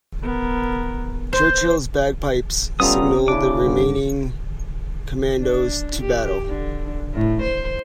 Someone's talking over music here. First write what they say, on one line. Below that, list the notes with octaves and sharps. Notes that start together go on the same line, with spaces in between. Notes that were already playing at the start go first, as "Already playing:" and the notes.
Churchill's bagpipes signalled the remaining Commandos to battle.
B3 A#4
C5 C6
G3 B3 C#4 F4 A4 A#5 D#6
C#3 D4 E4 D6
G2 D3
D4
G4
D3
A2
C5